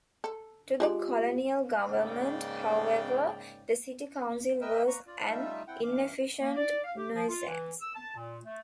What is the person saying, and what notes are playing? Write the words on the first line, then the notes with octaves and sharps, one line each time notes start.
To the colonial government, however, the city council was an inefficient nuisance.
A4
G#3 F4 G4 G#4 D5
G#2 C#3 A#3 D5 G5
A#4 B4 D#5 E5 G5 E6
A#3 B4 A#5 C#6
F4 D5
G3 A3 D#4 F4 E5
C4 E4 F#5 G5
G2 E3 F5 D6
A#3
D5
F5
G4
F3
F4
E3
E6
A5
A#2
A3